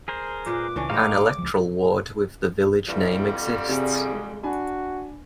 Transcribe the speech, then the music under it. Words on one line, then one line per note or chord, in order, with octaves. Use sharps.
An electoral ward with the village name exists.
G#4 A#4 C5
A#2 G#3 B4 D6
C#2 E3 C#4 D4
A2 G#3 C4 D#4 D#5 F5
C#2 F3
F2 D3 E3 G3
C3 G#4
G#3
D4 F#4 G#5 B5